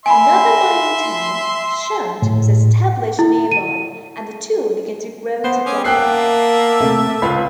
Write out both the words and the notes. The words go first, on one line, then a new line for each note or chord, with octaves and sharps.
Another mining town, Chant, was established nearby, and the two began to grow together.
E5 G#5 B5 C6
A2
E4
D#7
B3 C5
C#4 G#5 D6 D#6
A#3 E5 G5 A5 D6 F#6 C7
C3 A3
C#2 B4 F5 B5